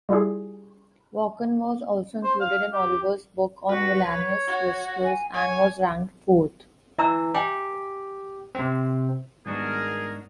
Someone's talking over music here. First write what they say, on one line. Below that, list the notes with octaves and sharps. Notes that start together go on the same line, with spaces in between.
Vachon was also included in Oliver's book on villainous wrestlers and was ranked fourth.
G3 E4 F4 G4 G#4
C5
F5
G4
F#4 B4
C#5
F#4
G#5
C#5 G#5
E3 E5 A#5 E6
G4 G5 G#5
C3 C4
G#2 D#3 G3 B3 D4 F#4 G#4 A#4